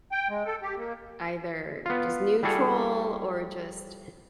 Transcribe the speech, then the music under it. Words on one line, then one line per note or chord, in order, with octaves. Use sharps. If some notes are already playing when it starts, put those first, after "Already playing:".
either just neutral or just
G5
G#3
A4
G4
A#3
B3 F4
G3 E4 F#4 G#4 A4